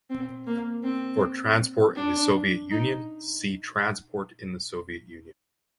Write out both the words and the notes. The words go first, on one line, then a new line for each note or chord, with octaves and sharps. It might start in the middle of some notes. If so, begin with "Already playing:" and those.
For transport in the Soviet Union, see Transport in the Soviet Union.
C4
A#3
C4
D4
D#4